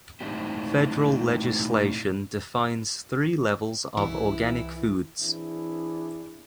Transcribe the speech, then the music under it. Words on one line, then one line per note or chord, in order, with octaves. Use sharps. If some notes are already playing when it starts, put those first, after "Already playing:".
Federal legislation defines three levels of organic foods.
A2 G#3 C4 D4 D#4 G4
C2 E3 E4
E3 C4 D4 E4 G#4